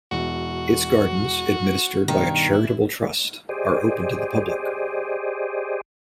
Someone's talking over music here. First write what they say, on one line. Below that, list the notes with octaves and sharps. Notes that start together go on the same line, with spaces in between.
Its gardens, administered by a charitable trust, are open to the public.
E1 E3 F#4
G2 B2 D#3
E4
G4 G#4 C5 D5 D#5